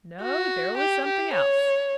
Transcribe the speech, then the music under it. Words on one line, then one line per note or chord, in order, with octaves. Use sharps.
No, there was something else!
F#4
G4
G4
C#5